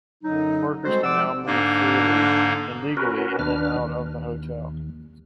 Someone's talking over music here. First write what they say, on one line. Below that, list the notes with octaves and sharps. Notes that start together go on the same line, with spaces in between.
Workers can now move freely and legally in and out of the hotel.
F#2 D3 F#3 D#4
G3 G#3 C4 F#4 A4 C5
F3 C5 D5 F#5 D6 E6
G#2 D3 A#3
C#4 F#4 A#4 B4
D#2 D4 B4 F6
D#2